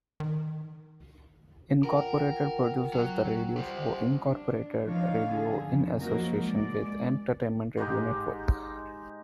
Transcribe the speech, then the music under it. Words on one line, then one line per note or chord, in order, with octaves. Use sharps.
Incorporated produces the radio show "Incorporated Radio" in association with Entertainment Radio Network.
D#3
F4 A#4 F#5 G5
F#3
G3 C5
D4
F3 D4 D#4 C#5 F5
D3 G#4
F2 C#3
F3 F#3 A#3 D#4 F#4 A#4
G#3 D5
G#2 G#3 D#4 G4